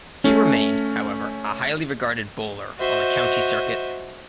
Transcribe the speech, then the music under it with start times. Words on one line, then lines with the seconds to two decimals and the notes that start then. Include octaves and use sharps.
He remained however a highly regarded bowler on the county circuit.
0.24 A3 C#4
2.78 F#4 C5 D#5 E5